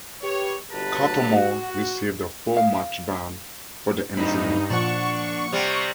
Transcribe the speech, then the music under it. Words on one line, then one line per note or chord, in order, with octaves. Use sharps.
Cattermole received a four-match ban for the incident.
G4 B4 C#5
G1 F#3 F#4 G4 B4 A5
F#4
F5
G2 F#3 A3 C4 D#4 B5
A#2 F3 D4 F#5 C#6
C3 G3